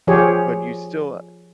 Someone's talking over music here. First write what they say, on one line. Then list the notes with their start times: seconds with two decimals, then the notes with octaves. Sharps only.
but you still
0.07 F3 F4 G4 G#4 C#5